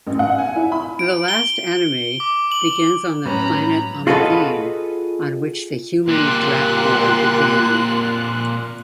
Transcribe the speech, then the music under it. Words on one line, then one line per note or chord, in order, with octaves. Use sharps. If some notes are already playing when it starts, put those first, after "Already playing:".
The Last Enemy begins on the planet Amadeen, on which the human-Drac war began.
A1
F#5
G#5
E4
B5
D7
G7
D6
F#7
A2 F#3 G3 B3 C#4 A#5 B5
F4 F#4 G#4 A4 B4 D#5
A#2 C4 F4 G4 A#4 C6 F#6